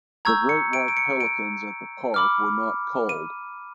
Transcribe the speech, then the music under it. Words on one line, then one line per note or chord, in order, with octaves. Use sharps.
The great white pelicans at the park were not culled.
A#5 C#6 E6 G6 G#6
C#7
D7
D7
C#7
D7
B5 D6 F6
D#7